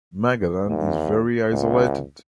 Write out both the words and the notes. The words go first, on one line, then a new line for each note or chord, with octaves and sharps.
Magadan is very isolated.
D#2
C#2